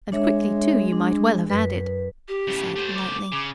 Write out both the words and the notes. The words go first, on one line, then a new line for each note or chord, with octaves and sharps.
"And quickly, too, you might well have added," he said, lightly.
G#3 D4 C#5 E5
D4
F#2 B4
G4
A2 C#3
A3 C5
D6
C#3